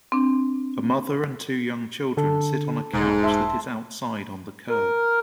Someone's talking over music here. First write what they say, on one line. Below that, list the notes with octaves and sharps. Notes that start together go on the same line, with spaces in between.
A mother and two young children sit on a couch that is outside on the curb.
C4 D4
D3 A4
E1 G#2
E5 A5 C6
A#4